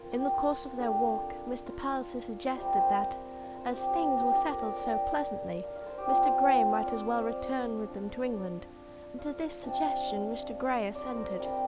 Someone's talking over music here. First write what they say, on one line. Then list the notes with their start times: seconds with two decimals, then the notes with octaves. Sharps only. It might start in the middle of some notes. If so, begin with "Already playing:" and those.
In the course of their walk Mr. Palliser suggested that, as things were settled so pleasantly, Mr. Grey might as well return with them to England, and to this suggestion Mr. Grey assented.
Already playing: C4 F4 A#4 F5 G5
0.12 G4
0.34 F4
0.77 D3 A#3 D4 G4
1.66 F4
2.55 C3 G3 C4 G4
2.66 A#4
2.77 C5
2.88 F5
3.43 F5
3.58 C5
3.73 G4
3.87 G4
4.02 A#4
4.17 G4
4.31 F3 A#3 D4 G4
4.46 A#4
4.61 D5
4.76 G5
5.64 F5
5.76 F5
5.86 C5
5.98 G4
6.09 F3 C4 F4
6.31 G4
6.53 F4
6.64 F5
6.75 F5
6.86 D5
6.98 C5
7.08 F5
7.19 F5
7.42 F5
7.86 F3 D4
8.30 D5
9.18 F5
9.63 C3 F3 D4
10.07 F5
10.95 D5
11.07 C5
11.17 A#4
11.39 C3 G3 D4 G5